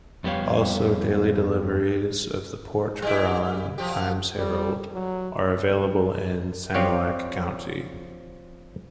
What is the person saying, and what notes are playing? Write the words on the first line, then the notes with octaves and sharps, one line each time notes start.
Also daily deliveries of the Port Huron Times Herald are available in Sanilac County.
F2 G3 B3 G4 C#5 F5
G3 E4
F3 G4
G3
F#3
F3 C4 G4 C#5 D5 F5